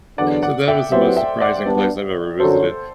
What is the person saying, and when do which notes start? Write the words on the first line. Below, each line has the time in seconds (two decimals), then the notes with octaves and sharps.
So that was the most surprising place I've ever visited.
0.18 E2 D3 F#3 B3 D4 D5 F#5
0.43 D5 F#5
0.68 E5 G5
0.92 F#3 C4 E4 G4 B4 C5 E5
1.17 E5 G5
1.41 D5 F#5
1.66 G3 B3 D4
2.40 F#2 D3 F#3 A4 C5